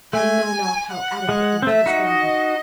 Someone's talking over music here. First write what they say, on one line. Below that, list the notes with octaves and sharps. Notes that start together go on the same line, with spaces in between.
I know not how adequately to describe it.
A3 G#5
F#5
G#3
C4
A3 E5
D#4 F#4
D#5